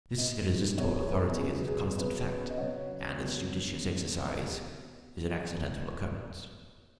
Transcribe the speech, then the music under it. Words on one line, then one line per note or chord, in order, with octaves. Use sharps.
This irresistible authority is a constant fact, and its judicious exercise is an accidental occurrence.
B2 B3 B4 D#5
B2 B3 G#4 C#5
B4
C#3 F#3 B3 G#4
G#4
C#3 F#3 B3 B4
B4
D#5
C#3 F#3 B3 C#5 F#5
C#3 F#3 B3